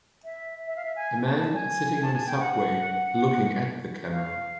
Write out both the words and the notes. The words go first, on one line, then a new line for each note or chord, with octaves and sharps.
A man sitting on a subway looking at the camera.
E5
E5
F5
E5
G#5
G#5
A5
G#5
A5
G#5
G5
F#5
F5